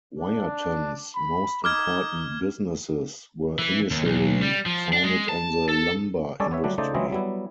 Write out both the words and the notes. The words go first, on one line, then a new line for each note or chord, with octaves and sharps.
Wiarton's most important businesses were initially founded on the lumber industry.
D4
B5
D#4 D6 F6 G#6
E3
D#2
B1
G3
F3
D4
G#3
A5
A4
G3 G#3 C#4 A4 C#5 D5
B3 C#5 E5
D3 F#3 G3 A3 D4
C#3 A3 D#4 C5 D5
E3 F#3 C4 C#4 E4 D#5
F#3 G3 B3 E4